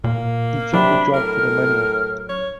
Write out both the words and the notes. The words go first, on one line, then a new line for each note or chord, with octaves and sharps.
He took the job for the money.
A#2 A#3
C3 F#3 D4 B5
A2 A#4 F6
C#5